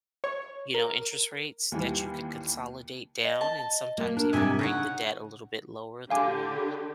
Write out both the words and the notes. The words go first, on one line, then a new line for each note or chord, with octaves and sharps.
you know, interest rates that you could consolidate down and sometimes even bring the debt a little bit lower through,
C#5
A#4
D#2 E3 G3
D#5
A5
A#3
D4 A#4
G#2 C3 G3 D#5 E5 G#5
C#3 D#4 C#5 F#5
D3 G4 F5 G#5 D6